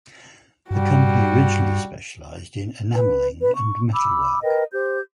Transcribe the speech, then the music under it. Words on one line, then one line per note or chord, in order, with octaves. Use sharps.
The company originally specialised in enamelling and metalwork.
G2 G3 F#4
B4
B4
C#6
B5 D6 E6
A#4 B4 D#5 G5
G4 C5 G6